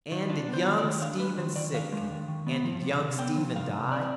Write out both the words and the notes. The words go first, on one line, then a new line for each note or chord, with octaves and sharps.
And did young Stephen sicken, And did young Stephen die?
D#3
D4 F4
B3
C5
D#3
D5
D#3
D4 F5
G#3 B4
D#3 C5
D#3 D5
D4 F5
G#3
D#3
D#3
B3
F3
C3
C3
B3 G5
F3
C3 F5
C3
C4 D5